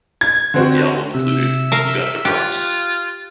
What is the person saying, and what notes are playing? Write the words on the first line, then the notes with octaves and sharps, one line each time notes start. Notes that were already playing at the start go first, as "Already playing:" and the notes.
The album included Who Got Da Props?
G#6
D3 C4 F#4
C3 E5
A#4 F5
F4 G4 F#6